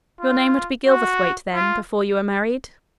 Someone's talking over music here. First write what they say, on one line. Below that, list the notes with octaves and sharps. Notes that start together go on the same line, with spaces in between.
"Your name would be Gilverthwaite, then, before you were married?"
F4
F#4
F4